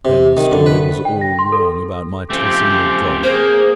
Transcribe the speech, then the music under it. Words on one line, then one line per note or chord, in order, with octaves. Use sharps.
Then the story was all wrong about my tossing the dog.
C3
D#3
D3
B4
G5
A#6
C6
A4
F3 A3 C4 C#4 G4
A#3 G#4 C5